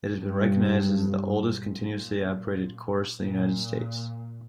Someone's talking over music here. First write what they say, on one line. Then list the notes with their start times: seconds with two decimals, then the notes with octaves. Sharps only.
It has been recognized as the oldest continuously operated course in the United States.
0.22 G2
1.41 A#2
3.22 A#2